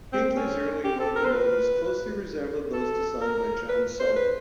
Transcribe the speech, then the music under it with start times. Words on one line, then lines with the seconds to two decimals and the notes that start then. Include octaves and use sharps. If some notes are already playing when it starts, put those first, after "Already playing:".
Hinkley's early locomotives closely resembled those designed by John Souther.
0.13 C4
0.36 C#4
0.84 G4
1.00 A4
1.16 A#4
1.25 C5
1.31 B4
2.73 A4
3.21 A#4
3.69 B4
4.00 C5
4.16 B4